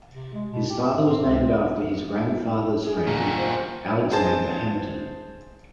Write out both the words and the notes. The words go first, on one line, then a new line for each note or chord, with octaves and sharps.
His father was named after his grandfather's friend, Alexander Hamilton.
C3
G#3
B2
G4
G#2
C4
C#2
G#4
A#2 F#4
G5
C5
G#4 C5 A5